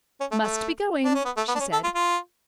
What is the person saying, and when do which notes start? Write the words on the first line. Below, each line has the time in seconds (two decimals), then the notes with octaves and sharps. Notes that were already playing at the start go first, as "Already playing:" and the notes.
"Must be going," she said.
0.20 C#4
0.31 A3
0.43 A3
1.05 D4
1.15 C#4
1.25 B3
1.37 A3
1.48 B3
1.55 D4
1.60 C#4
1.72 A4
1.84 F4
1.95 F4